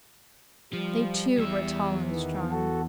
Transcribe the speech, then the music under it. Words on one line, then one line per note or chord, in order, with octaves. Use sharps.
They, too, were tall and strong.
F3 G3
E2 E5
D#3 E3 B3
F#4 A4